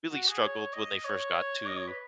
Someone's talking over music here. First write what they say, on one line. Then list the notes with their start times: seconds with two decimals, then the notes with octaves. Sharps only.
really struggled when they first got to
0.12 F#4
0.28 G#4
0.43 C#5
0.73 D#5
1.05 C#5
1.67 D#5
1.77 C#5
1.87 B4